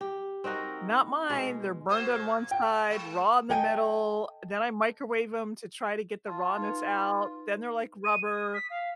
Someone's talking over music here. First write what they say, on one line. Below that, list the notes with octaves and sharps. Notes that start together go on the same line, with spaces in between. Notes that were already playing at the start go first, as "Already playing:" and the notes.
not mine, they're burned on one side, raw in the middle, then I microwave 'em to try to get the rawness out, then they're, like, rubber,
G4
C4 D#4 F#4 A#4
B2 G#3
A#2 F#4 C5
G5
G#3
A4 D#5 G5 G#5
F4 A5
D#4 B4
D#7
D#6
B6
F5